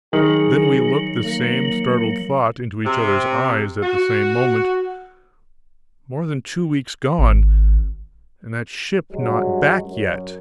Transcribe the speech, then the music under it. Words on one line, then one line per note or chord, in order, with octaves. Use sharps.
Then we looked the same startled thought into each other's eyes at the same moment; more than two weeks gone, and that ship not back yet!
D#3 F#3 G#4
A#3
C3
F#4
G#1
G2 F#3 G#3
F#2